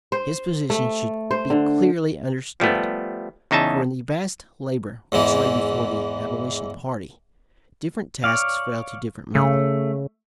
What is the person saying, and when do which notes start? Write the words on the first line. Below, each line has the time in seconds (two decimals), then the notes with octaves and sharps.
His position should be clearly understood; for in the vast labor which lay before the abolition party different tasks fell to different men.
0.12 C5
0.70 A3
1.31 C5
1.50 D3
2.60 F3 G3 A3 B3
3.51 E2 C#3 D#4 E5 A5
5.12 E2 G#2 E3 E4
8.24 C#5 D5 F5
9.35 C#3 A3